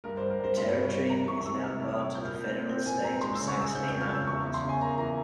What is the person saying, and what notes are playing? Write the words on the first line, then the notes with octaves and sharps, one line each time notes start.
The territory is now part of the federal state of Saxony-Anhalt.
G2 A#4
C5
G3
A#4
G3 C5
G2 C5
G3
C#5
A#3
C3 A#5
E3 C#6
C#6
C3 E6
C3 F6
E4
F6
E4
A#2 G6
F6
A#2 G6
C4
C4 G6
A#2 G#5
C4 A#5
G#3 C6
E6
C#3
C#6
G#3 E6
C#3 G6
G6
F2
F6
C#3
E6
E2 C#6
E2
C6
C#3
G#5
A#3 A#5
E3 A#5